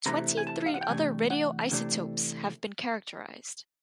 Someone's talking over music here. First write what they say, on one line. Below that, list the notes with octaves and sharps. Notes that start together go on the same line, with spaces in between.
Twenty three other radioisotopes have been characterized.
C3 E3 A3 D4 A#5
G#5
A5
F5
F#5
G5
C3 E3 A3 D4 G#5
F#5
C3 E3 A3 D4